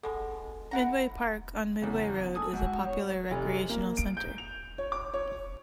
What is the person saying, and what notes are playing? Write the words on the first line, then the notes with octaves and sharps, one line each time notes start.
Midway Park on Midway Road is a popular recreational center.
B2 G#3 A4
E4 F#5 A#5
E2 C#3 F#3
A4 G#5 D#6
G#2 F#4
C#5
F1
A#3
D7
G6
F7
C#5
D6
C#5